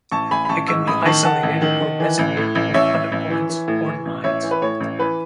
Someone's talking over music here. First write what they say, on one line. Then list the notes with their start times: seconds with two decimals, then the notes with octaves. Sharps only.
It can be isolated or resonate with other points or lines.
0.11 A1 A5 C#6
0.31 A1 G#5 B5
0.45 B5
0.49 A1 A5 C#6
0.68 G#2 C#6 E6
0.87 A1 B5 D#6
1.05 D#3 A5 C#6
1.24 D#3 F#5 A5
1.43 A1
1.62 D#3
1.80 D#3
2.00 E3
2.19 A1
2.37 A2
2.55 A1
2.74 A1 C#5 E5
2.93 A1
3.12 A1
3.30 E3
3.50 E3
3.68 A2
3.87 E3
4.05 A1
4.24 A1 C#5 E5
4.43 E3
4.51 B4
4.62 A2 C#5
4.80 A1
4.99 E3 B4